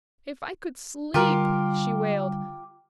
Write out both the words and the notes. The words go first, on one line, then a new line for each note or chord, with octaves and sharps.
"If I could sleep," she wailed.
D3 G3 F4 G4 A#4